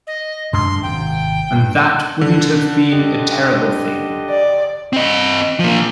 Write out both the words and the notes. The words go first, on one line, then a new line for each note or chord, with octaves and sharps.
And that wouldn't have been a terrible thing.
D#5
F#2 G#3 D4 C6
G#1 C3 G5
G2
D3
G4 D#5
D5
C4 D#5
F3 A#3